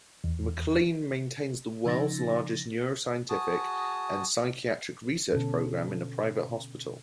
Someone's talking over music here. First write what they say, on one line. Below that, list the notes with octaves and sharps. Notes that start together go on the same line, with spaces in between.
McLean maintains the world's largest neuroscientific and psychiatric research program in a private hospital.
E2
C#3 F3 D#4 A6 A#6
F#4 G#4 A5 D#6
B2 D3 C#4 A4